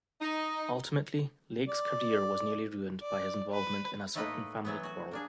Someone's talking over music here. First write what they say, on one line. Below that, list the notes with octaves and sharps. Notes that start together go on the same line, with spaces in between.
Ultimately, Lake's career was nearly ruined by his involvement in a certain family quarrel.
D#4
D5
D5
B4
A2 A3 A#3 D#4 B4 D#5
E3 F#3 B3
F#4
A#3 D4 G#4